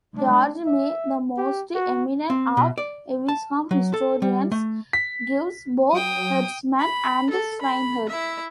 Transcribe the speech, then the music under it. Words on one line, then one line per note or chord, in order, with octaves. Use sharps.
George May, the most eminent of Evesham historians, gives both herdsman and swineherd.
D4
E5
G4
F#4
C4
B2
D5
A5
F#3
A4
G3
A3
B6
F#3 G5 D#6
B5
A4
B5
E4 E5